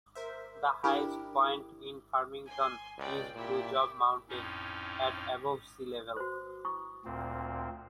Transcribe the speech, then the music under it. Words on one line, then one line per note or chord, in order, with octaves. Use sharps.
The highest point in Farmington is Blue Job Mountain, at above sea level.
A#4 C5 E5
D4 E4 G4 A#4
G#5 C6
C#2 D5 G5
A#2 E4 G4
F2 A2 C#4 D#4
F#4 B4 C5
E4 C#6 D#6
D2 A#2 C4